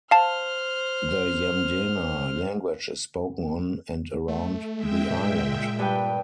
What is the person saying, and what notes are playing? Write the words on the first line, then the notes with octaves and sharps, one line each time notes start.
The Yamdena language is spoken on and around the island.
C5 F5 A5 F6
A3
G#3 E5 G5
A#2
G2 B4 G5